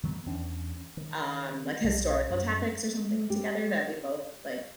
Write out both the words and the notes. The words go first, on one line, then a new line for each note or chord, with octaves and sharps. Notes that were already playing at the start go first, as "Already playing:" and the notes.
um, like historical topics, or something, together that we both like.
D#3 F#3 G3 B3
E2 C#4 D4
D#3
B1
F#2
G4